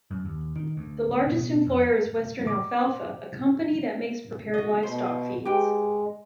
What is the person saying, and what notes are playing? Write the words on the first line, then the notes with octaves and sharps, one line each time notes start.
The largest employer is Western Alfalfa, a company that makes prepared livestock feeds.
F#2
D#2
D#3
D2
B2
F2
D6
C5
F#4 D#5
B2 C5
G#3 G4 B4 G5